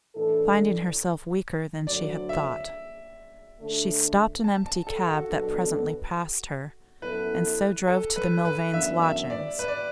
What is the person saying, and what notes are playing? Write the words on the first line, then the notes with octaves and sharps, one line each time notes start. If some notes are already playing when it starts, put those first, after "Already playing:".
Finding herself weaker than she had thought, she stopped an empty cab that presently passed her, and so drove to the Milvains' lodgings.
A2 E3 D4 A4
D2 D3 F#3 D4 D5
E5
D3 A3 D4 A4
A5
A5
A4
F#4
B2 F#3 B3 D4 A4
F#2 F#3 B3 E4 A4 B4
A4
B4
B4
F#2 E3 B3 D4 E5
E5
D5
B4
D5